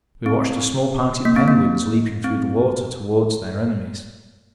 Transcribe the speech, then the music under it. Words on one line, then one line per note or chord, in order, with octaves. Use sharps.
We watched a small party of penguins leaping through the water towards their enemies.
C4
A#3
C4
A#3
C4